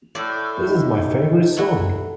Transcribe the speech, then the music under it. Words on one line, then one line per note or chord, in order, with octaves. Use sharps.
This is my favorite song!
A2 A4 D5
D#4
A3 E4 F#4